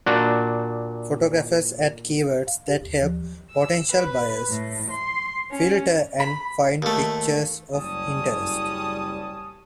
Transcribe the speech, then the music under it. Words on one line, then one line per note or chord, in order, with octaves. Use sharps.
Photographers add keywords that help potential buyers filter and find pictures of interest.
A#2 D4 F#4
F5
G4
D#2
F3
E6
B4
A2
C6
C#4
B5
D#2 A3
F#1 G3 C#4 A5 D#6